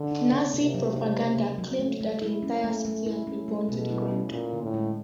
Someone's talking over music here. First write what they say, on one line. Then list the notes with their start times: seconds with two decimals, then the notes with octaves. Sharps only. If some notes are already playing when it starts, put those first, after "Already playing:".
Nazi propaganda claimed that the entire city had been burned to the ground.
Already playing: D3
0.11 D#4
0.32 C#3
0.54 C3 A#3
0.74 F#3
0.96 D#4
1.17 C#3
1.37 A#3
1.58 F#3
1.79 A3
2.01 A3
2.22 E4
2.43 C#4
2.64 A3
2.85 A3
3.06 E4
3.27 C#4
3.48 A3
3.69 B2 A3
3.90 E4
4.11 C#4
4.31 A#2 C#4
4.53 D3
4.63 A2
4.74 G#3